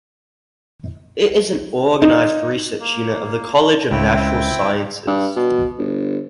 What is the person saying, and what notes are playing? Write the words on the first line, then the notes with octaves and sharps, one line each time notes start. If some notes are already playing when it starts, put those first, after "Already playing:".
It is an organized research unit of the College of Natural Sciences.
D#4
A#3
C#2 C4 E4 G5
G2
B2
G1